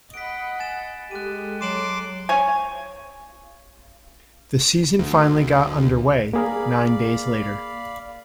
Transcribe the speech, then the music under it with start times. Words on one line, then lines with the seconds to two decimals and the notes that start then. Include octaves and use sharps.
The season finally got underway nine days later.
0.14 D#5 F#5 B5 B6 D7
0.60 G#5 A6 E7
1.11 G#3 G4 A4 F#6 D#7
1.61 F#3 C6 D6 D7 E7 F#7
2.29 C#5 G#5
4.99 D2
6.33 A#3 G#4 A#4 D5 F5 B5